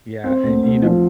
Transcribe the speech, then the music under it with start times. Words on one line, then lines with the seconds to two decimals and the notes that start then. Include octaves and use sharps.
Yeah, and, y you know
0.24 C4
0.43 D2
0.63 D2
0.82 F3